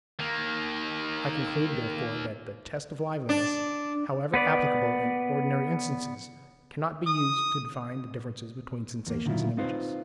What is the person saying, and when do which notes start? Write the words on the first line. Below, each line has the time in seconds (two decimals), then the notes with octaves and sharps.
I conclude therefore that the test of liveliness, however applicable in ordinary instances, cannot be used to define the differences between sensations and images.
0.19 D#3 A#3
3.29 D4
4.34 B3 B4 D5
7.06 D#6
9.06 E2 A#3
9.25 A#2 D3 D#3 F#3 E4 F4
9.57 C4 D#4 F4 B4 C5